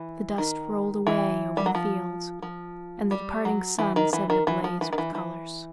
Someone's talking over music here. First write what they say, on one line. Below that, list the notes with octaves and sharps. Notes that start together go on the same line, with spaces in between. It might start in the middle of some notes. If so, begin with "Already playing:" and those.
The dust rolled away over the fields and the departing sun set it ablaze with colors.
Already playing: E3
D#3
E3
G3
F#3
F3
F3
G3
F#3
E3
D#3
E3
D#3
E3
F3
E3
D#3
E3
E3